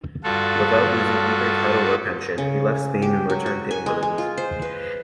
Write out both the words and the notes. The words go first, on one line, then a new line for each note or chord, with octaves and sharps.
Without losing either title or pension, he left Spain and returned to England.
G2 F4 F#4 A4
C#3
G4
F#3
F#4
G#5
G#3
G#3
F4
C5
B4